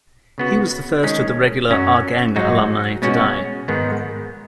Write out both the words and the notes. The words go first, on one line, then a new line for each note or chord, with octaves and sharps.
He was the first of the regular "Our Gang" alumni to die.
C#3 B3 F#4
D#3 G#3 C#4
F#2 F#3 C#4 F#4
G#2 F#3 D#4 F#4
B2 G#3 C#4 F#4
G#2 D#3 B3